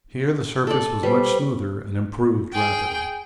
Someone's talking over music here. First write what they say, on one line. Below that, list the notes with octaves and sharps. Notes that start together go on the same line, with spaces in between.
Here the surface was much smoother and improved rapidly.
A4 D5
G3 B4 C5
G#4 G5